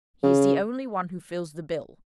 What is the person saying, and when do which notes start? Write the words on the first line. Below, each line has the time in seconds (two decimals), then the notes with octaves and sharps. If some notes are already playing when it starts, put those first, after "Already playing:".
He is the only one who fills the bill.
0.23 C#3